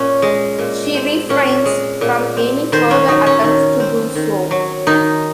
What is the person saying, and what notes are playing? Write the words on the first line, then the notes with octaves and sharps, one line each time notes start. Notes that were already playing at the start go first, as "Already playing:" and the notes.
She refrains from any further attempts to do so.
Already playing: A#2 C#4
G#3
A#2
C4
A#2 C#4
G#3
A#2
C4
D#3 C5
C#4
F#3 D#4
C#4
D#3
C4
D#3
F#3
D#3 D#4